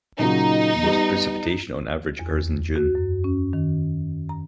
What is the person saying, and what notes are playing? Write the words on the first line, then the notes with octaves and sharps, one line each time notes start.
The most precipitation on average occurs in June.
A#2 C#3 F#3 D#4
G3 B3
E2
F#4
F#2
C#4
D#3
A#5